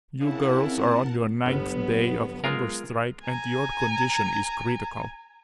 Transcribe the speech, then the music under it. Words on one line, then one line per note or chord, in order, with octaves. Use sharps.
You girls are on your ninth day of hunger strike and your condition is critical.
C#3 E4 A#4 F#5 A5
C4
G1 F#3 B3
G#3 F4 A#4
G#5 A#5